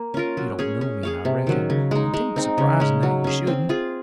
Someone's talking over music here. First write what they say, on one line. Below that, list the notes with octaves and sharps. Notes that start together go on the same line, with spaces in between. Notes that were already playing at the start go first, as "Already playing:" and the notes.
You don't know me, I reckon, and 'tain't surprisin' that you shouldn't.
Already playing: A#3
C#4 F4 A#4
F#3
C#4 G#4 C#5
C#4
G#4 C#5 F5
C3
D#3 F#3 C#4
C#3
G#3 D#4
G#3
C4 D#4
C#3
G#3 C#4
F#3
C#4 G#4
C4
F4 G#4